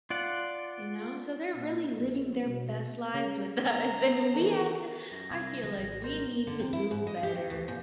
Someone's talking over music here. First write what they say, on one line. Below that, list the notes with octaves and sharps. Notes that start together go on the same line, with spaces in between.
You know, so they're really living their best lives with us, and we have to I feel like we need to do better
F4 D5 F#5
A#2
A#1
B2
C#3
A#5
D#3 E3 A3
F#2 A#6
C2 C4 G#6
D3 F3 F#3
G#1
A#4 C5
D3
C3
E4
G#2
D#5
G4
D#3
D2
A#2